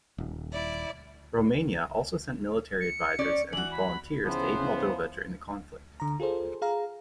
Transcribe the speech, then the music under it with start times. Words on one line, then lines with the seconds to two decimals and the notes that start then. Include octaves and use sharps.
Romania also sent military advisors and volunteers to aid Moldova during the conflict.
0.18 D#1
0.51 E4 D5
2.81 C#7
3.19 C#4 D5
3.53 E3 F#4 F#7
3.71 B5
4.25 C#3 E3 F3 B3 C5
6.00 D3 A#5
6.20 F4 G#4 A4 C5
6.62 G#4 F5 A#5